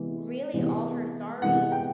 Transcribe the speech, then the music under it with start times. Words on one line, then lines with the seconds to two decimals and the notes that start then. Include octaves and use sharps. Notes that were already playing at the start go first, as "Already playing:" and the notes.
really all her sorry
Already playing: C3 E3 G#3 B3
0.53 C3 E3 G#3 B3
1.42 C3 E3 G#3 B3 F#5
1.72 G5